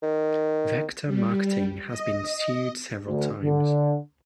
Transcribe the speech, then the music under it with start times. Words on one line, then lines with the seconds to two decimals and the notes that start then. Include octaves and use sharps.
Vector Marketing has been sued several times.
0.02 D#3
1.07 G3
1.86 D#5
3.07 D2
3.42 D3